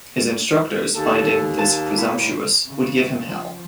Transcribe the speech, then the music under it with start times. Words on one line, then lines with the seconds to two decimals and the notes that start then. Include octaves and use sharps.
His instructors, finding this presumptuous, would give him hell.
0.95 D#2 A4
1.59 A#3 A5
1.98 A2 C3 E4
2.69 C#3
3.25 F3